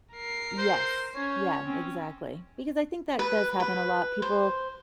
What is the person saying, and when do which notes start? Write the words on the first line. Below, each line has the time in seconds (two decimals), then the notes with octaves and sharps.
Yes. Yeah, exactly, because I think that does happen a lot, people
0.13 A#4 C7
0.58 C5
1.15 C#4 C#5
1.65 C4 C#4
3.19 B4
3.60 B4
4.22 C5